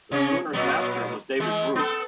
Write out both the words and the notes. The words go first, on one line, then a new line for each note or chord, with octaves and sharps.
The schooner's master was David Bruce.
C3 C#4 C#5
A#2 F#3 B3
E3 G#3
B3 A4